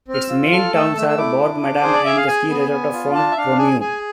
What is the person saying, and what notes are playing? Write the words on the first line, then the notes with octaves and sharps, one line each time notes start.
Its main towns are Bourg-Madame and the ski resort of Font-Romeu.
C4
F6
E6
F4
A4 F6
A3 E6
A3 E6
E6
E4 D6
D4
D4
G#4 C5
D5
G#4 E5
F5
G#4 G#5
B3
B3
F4
D4 A5
E5
D4 F5
G#4 G#5
G#4 G#5